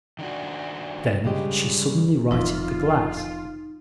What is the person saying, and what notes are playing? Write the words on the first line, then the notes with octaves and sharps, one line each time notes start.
Then she suddenly righted the glass.
D#3 D4 F#4
G2 C#3 G#3 G4 D#5
F1 F2 A2 D#3 D#4 F4 E5